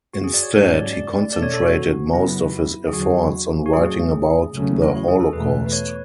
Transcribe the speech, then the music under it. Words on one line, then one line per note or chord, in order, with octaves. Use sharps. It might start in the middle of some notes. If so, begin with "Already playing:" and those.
Instead, he concentrated most of his efforts on writing about the Holocaust.
F#4
G#4
D5
C#5
G#2 F#3 A3 C#4 C#5
D5
D5
B2 A3 C#4 D5
C#5
A4
F#4
F#2 C#3 F#3 B3 E4
G#4
E2 D3 F#3 F#4
F#4
A2 F#3 A3 C#4 G#4
E2 C#3 F#3 A3 C#4
E4
F#4
G#4
A4
E2 B2 A3 B4
B4
C#5